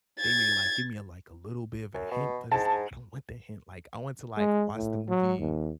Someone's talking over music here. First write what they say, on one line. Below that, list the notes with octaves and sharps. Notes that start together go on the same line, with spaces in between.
they may, like, "Give me a, like, a little bit of a hint." but it's like, "I don't want the hint, like, I want to, like, watch the movie
G#6 A6
F#2
B2
G#2 A5
G#3
A2
F#3
D#2